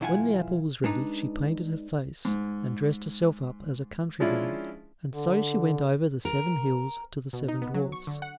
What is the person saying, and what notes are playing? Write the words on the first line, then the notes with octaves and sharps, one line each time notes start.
When the apple was ready she painted her face, and dressed herself up as a country-woman, and so she went over the seven hills to the seven dwarfs.
B1 E2 E4 F4 F#5 G#5
G#3 D4 D#4 B4
G#2
F3 G#3 C#4 D4 E4 F4
D3
A#4
B2
D#4
B3
F#3
C#6
D3
F#5